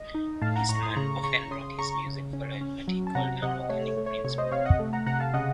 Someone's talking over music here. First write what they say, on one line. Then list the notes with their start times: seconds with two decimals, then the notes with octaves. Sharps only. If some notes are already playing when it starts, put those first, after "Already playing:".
Eastman often wrote his music following what he called an "organic" principle.
Already playing: D#5
0.14 D#4
0.42 A2 F5 A5
0.56 F#5 A#5
0.69 A2 A#5 C#6
0.83 C6 D#6
0.96 C#3 A#5 C#6
1.24 C#3 A#5 C#6
1.51 C#3 C6 D#6
1.78 C#3 A#5 C#6
2.06 C#3
2.33 C#4
2.61 C#4
2.88 F#3
3.07 A5
3.15 C3 F#5 A#5
3.42 C3 D#5 F#5
3.69 A3 C#5
3.88 C#5
3.97 A3
4.06 C#5
4.25 C3 C#5
4.38 C5 D#5
4.51 C3 C#5 F5
4.65 D#5 F#5
4.79 A3
4.93 F#5 A#5
5.06 C3 F#5 A#5
5.20 F5 A5
5.34 C#3 D#5 F#5